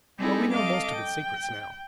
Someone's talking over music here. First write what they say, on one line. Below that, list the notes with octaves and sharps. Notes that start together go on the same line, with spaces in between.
But we know most of its secrets now.
G3 C4 D#4 E4 G#4 A4
A4 D#5 F5 D6
G5